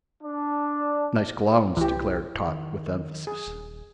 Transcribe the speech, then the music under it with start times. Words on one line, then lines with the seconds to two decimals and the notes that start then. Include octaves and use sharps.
"Nice Clowns," declared Tot, with emphasis.
0.22 D4
1.77 C2 E3 G4
2.47 D#3
3.27 G#4
3.46 D#1